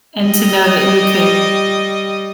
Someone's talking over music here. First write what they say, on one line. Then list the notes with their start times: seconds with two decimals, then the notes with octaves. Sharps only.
and to know that you could
0.24 G3 D#5